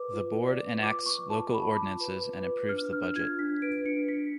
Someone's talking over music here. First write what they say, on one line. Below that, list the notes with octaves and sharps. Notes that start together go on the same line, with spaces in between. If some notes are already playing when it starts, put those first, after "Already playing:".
The board enacts local ordinances and approves the budget.
Already playing: B4 D6
F4
D5
B4
F4 D6
B4 C#6
F4 A5
F4 B5
F4 D6
B4
B4
B4
D4 F6
D4 F6
F4 G#6
D4 B6
B4 D7
D4 C#7
D4 B6